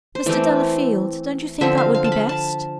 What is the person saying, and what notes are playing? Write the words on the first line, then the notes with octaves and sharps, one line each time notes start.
Mr. Delafield, don't you think that would be best?...
C5
E3 A3 C4 D5
D3 F3 C4 E5
F5
F5
A5
B5
A5